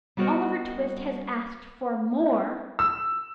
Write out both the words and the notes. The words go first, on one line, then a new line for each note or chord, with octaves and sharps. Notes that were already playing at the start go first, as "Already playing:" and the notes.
Oliver Twist has asked for more!'
G3 B3 F#4 A#4 C5 D#5
E6